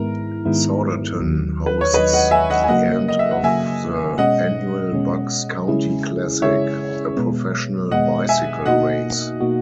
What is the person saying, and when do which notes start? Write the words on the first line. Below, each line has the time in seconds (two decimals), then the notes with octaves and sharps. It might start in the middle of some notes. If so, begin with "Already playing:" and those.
Souderton hosts the end of the annual Bucks County Classic, a professional bicycle race.
Already playing: G#2 D#3 G#3 B3 E4 A#4
0.45 G#2 D#3 G#3 B3 E4
1.19 D#2 D#3 F#3
1.66 B4
1.81 C#5
1.93 D#2 B4 D#5
1.97 D#3 F#3
2.13 D#5 F#5
2.31 E5 G#5
2.50 D#5 F#5
2.64 G#5
2.68 C#3 F#3 A#3 D#5 F#5
3.08 D#5
3.19 E5
3.31 F#5
3.43 C#3 F#3 A#3 E5 G#5
4.18 B2 G#3 C#4 D#5 F#5
4.93 B2 G#3 C#4
5.68 C#3 G#3 C#4 E4 G#4
6.42 C#3 G#3 C#4 E4 G#4 C#5 E5
7.17 B2 G#3 B3
7.91 B2 G#3 B3 D#5 F#5
8.29 E5 G#5
8.66 B2 A#3 D#4 F#4 D#5 F#5
9.40 B2 A#3 D#4 F#4